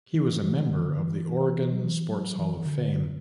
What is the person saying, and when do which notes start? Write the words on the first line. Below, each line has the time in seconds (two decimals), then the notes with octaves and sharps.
He was a member of the Oregon Sports Hall of Fame.
0.14 E3
0.43 E3
0.70 D3
0.78 E3
0.85 D3
0.99 E3
1.73 F#3
1.83 E3
2.10 F#3
2.39 E3
2.57 E3
2.66 D3